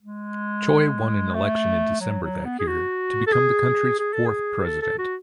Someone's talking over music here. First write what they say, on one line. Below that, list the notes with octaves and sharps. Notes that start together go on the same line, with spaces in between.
Choi won an election in December that year to become the country's fourth president.
G#3
A3
F#3
F#3
B3
G#4
F#4
A4
G#4
G#4
A4
G#4
A4
A4
F#4